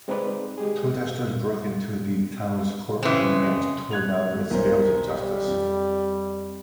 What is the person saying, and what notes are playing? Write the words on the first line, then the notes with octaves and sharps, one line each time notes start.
Protesters broke into the town's court room and tore down its scales of justice.
G#3 C4 D#4 G#4 B4 D5
G#3 G4 G#4
C#3 E3 G#3 C4
F#6 G#6 F7
B1 A#4 C5
G3
F2